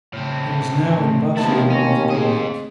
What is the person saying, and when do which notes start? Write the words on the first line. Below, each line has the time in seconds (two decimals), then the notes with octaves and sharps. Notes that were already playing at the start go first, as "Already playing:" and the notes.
He was now in bad humour with the government.
0.13 A2 C#3 C4
0.96 A3
1.37 D#2 B2 F3 E4 A5
1.70 C4 C#4 A#6
2.10 G#4 C5 D#5